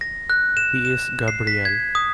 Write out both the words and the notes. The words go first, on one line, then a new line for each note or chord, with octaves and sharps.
He is Gabriel.
A#6
F#6
E7
E7
C7
B6
G#6
D#6